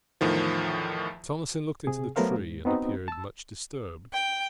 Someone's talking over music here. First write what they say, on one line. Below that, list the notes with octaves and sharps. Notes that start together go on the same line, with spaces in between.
Thomasin looked into the tree and appeared much disturbed.
E2 A2 D#3 F3
C3 G#4
F#3 A3 B3 A#4 C5 F5
G#2
B3 C4 D#4 F#4
A5 E6
G5